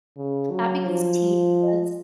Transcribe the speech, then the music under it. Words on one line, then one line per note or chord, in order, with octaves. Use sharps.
that becomes tedious.
C#3
F#3
F3